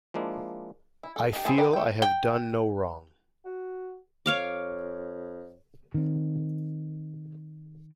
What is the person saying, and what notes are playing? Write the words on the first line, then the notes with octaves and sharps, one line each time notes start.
I feel I have done no wrong.
F3 G#3 A#3 D4 E4
E4
A4
D#4 G4
C4 E4 G#4 C#5 A5
D#3 B3 A#4 D5 G5
A3 G5
G5
F#4
F2 C#5 F5 D6
D#3 C4